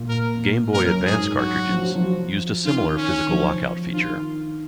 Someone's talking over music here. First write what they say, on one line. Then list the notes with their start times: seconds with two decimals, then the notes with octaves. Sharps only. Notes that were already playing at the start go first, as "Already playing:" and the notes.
Game Boy Advance cartridges used a similar physical lock-out feature.
Already playing: A#2
0.09 A#4
0.73 F#2 A#4
1.05 G#2 G#4
1.37 F#3 F#4
1.69 F3
1.82 F#3
1.95 F3
2.65 D#3 F4
2.97 C#4
3.29 F3
3.93 D#3 F4